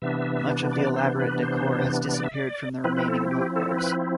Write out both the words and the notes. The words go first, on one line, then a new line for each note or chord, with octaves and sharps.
Much of the elaborate decor has disappeared from the remaining milk bars.
C3 E3 B3 D4 E5
D5
C5
B4
C5
D5
E5
D5
F3 C4 E4 B4
B4
A4
G4
A4
B4